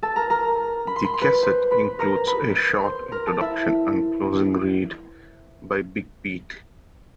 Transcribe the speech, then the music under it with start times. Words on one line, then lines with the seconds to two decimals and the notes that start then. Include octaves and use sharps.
The cassette includes a short introduction and closing read by Big Pete.
0.03 A4 A5
0.16 A#4 A#5
0.30 A#4 A#5
0.87 B5
0.96 C6
1.04 B5
1.14 C6
1.22 B4 B5
1.42 C5 C6
1.71 B4 B5
1.99 A#4 A#5
2.27 B4 B5
2.84 C5 C6
3.12 A#4 A#5
3.27 A4 A5
3.41 E4 E5